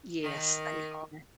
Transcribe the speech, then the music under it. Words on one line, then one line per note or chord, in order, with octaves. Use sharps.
Yes, they are.
D#3